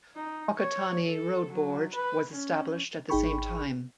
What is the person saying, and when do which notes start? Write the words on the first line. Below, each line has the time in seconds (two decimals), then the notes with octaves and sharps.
Whakatane Road Board was established at the same time.
0.15 D#4
0.57 C#5
1.04 A4
1.51 F#3
1.94 B4
2.30 C#4
3.10 G#1 D#4 G#4 G5 B5 C#6